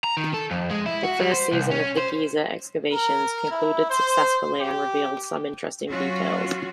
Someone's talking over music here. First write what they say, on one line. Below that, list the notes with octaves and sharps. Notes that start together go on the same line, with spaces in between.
The first season of the Gezer excavations concluded successfully and revealed some interesting details.
A#5
D#3
A4
F2
G#3
E4
F#4
G3
C5
C2
C#4
C5
A#4
E4
C5
G4
F#3 C#4 F4 F#4